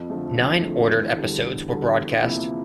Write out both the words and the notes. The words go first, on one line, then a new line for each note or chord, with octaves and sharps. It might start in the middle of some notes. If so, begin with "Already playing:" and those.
Nine ordered episodes were broadcast.
Already playing: F2
D3 F3 A3
F2
D3 F3 A3
E2
D3 G3
E2
D3 G3
E2
C3 F3 A#3 E4